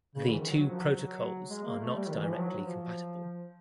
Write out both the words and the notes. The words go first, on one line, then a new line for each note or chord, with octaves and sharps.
The two protocols are not directly compatible.
C#3
D3
E3
D#3
F#3
F#3
F3
F#3
F#3
G#3
A#3
A3
G3
D#3
E3
F3
F#3
F3